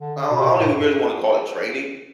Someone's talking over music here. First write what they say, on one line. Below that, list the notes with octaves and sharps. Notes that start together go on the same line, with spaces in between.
I don't I don't even really wanna call it training,
D3
B2
C3
B2
A2
G2
F#2